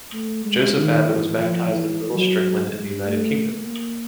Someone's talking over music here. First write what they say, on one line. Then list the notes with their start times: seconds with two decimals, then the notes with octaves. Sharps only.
Joseph Abbott was baptized in Little Strickland, in the United Kingdom.
0.13 A3
0.45 G#3
0.75 D#3
1.06 E3
1.36 F3
1.68 E3
2.14 F#3
3.06 A3
3.53 A#3